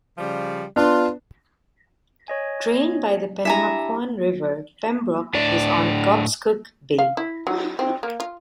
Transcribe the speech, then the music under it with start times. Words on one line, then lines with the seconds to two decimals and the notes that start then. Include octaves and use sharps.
Drained by the Pennamaquan River, Pembroke is on Cobscook Bay.
0.18 C#3 F3 G3
0.76 B3 D4 F4
2.28 C#5 D#5 G#5
3.45 D4 E4 G4 E5 G#5 A#5
5.34 A2 D4 D5
6.99 F5
7.17 E4
7.47 F#3
7.79 C4
8.03 A#3
8.20 F4